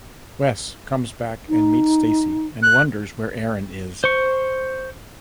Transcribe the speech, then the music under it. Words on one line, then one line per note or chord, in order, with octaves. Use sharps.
Wes comes back and meets Stacy and wonders where Erin is.
D#4
F#6
C5 C#6